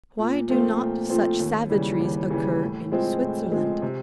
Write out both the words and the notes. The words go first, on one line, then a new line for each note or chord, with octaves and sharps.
Why do not such savageries occur in Switzerland?
A#2
F3 A3 C4 F4
A#2
F3 A3 C4 F4
D#2
C#3 E3 G3
D#2
C#3 E3 G3
A2
F3 G#3 C4
A2
F3 G#3 C4
C3